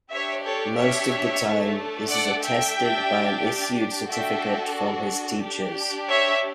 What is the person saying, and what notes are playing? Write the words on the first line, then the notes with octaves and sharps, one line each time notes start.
Most of the time this is attested by an issued certificate from his teachers.
D4 G4 C#5 E5
A4 C#5
C#5 E5
A3 D4 A4
D5 F#5
E5 G5
D4 G4
D4 F#4 A4 E5 G5
D4 G4
C#5 E5